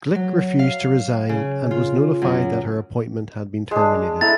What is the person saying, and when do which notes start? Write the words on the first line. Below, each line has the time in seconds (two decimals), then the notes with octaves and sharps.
Glick refused to resign and was notified that her appointment had been terminated.
0.15 F#3
0.59 F5
1.29 C#3
1.71 F4
2.22 F#2
3.71 G#3 D4
4.21 E4 A4 A#5 A6